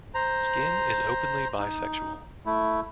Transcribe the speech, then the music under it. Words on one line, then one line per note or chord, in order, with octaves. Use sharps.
Skin is openly bisexual.
C5 A#5
D#4
A3 E4